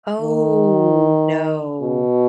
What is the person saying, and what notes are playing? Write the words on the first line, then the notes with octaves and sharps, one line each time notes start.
Oh, no.
D#3
B2